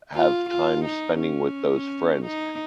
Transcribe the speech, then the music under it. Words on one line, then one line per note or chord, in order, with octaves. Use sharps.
have time spending with those friends.
F4
F4
D#4
C#4
D#4